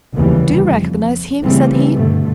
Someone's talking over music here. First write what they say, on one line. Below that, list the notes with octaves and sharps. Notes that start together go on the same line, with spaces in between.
"Do you recognize him?" said he.
F1 D#2 C#3 E3 G3
F2
C#3 E3 G3 A3 C4
G2 B2 D3 A3